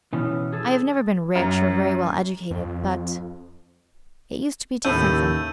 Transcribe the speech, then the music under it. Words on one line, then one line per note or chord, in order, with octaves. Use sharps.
I have never been rich, or very well educated, but--it used to be different from now.
B2 E3 B3 C#4
G#4 A4
F#2
F2
D#2 A2 C#3 A3 E6 G6 D#7